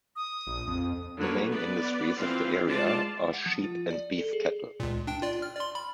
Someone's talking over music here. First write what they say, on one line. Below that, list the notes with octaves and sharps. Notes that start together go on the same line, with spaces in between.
The main industries of the area are sheep and beef cattle.
D#6
A#1
F2
D3 F#3 A#3 D4 B4 C#5
B3 B4 D5
E3 F3 C4 F5
G#3 F4 D5 A5
F#5
F3
F4
D5
A4
G#4
C#2 A#2
D4 G5
F4 D5
F6
D5 C6
B5